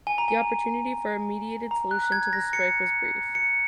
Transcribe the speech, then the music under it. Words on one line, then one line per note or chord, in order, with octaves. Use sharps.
The opportunity for a mediated solution to the strike was brief.
G#5
A#5
G#5
A#5
F#6
G#6
A#6
C#7
C#7